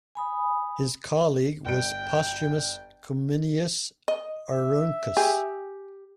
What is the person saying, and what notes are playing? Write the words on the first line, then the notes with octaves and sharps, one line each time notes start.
His colleague was Postumus Cominius Auruncus.
G#5 B5 D#6
G1 G5 D7
D#5
E5
G4 G#4